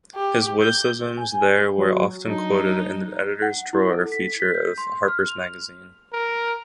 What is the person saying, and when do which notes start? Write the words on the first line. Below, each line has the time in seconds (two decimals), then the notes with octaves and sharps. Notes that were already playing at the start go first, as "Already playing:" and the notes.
His witticisms there were often quoted in the "Editor's Drawer" feature of "Harper's Magazine".
0.16 G4
0.61 G6
1.18 G#5
1.78 F#3
2.27 F#3 D4 D#4
3.42 F#5
3.73 E4
3.93 A4
4.12 B6
4.40 B6
4.55 G6
4.78 C6
5.08 F6
5.29 F7
6.13 A#4